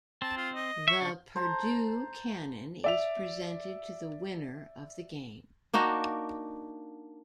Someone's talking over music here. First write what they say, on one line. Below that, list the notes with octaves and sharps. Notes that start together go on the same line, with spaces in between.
The Purdue Cannon is presented to the winner of the game.
C4 A5
F4
D#5
E5 C#6
C#3 D4
C5 A5 A#5 C6
D5 E5 F7
A#3 D4 D#4 F#4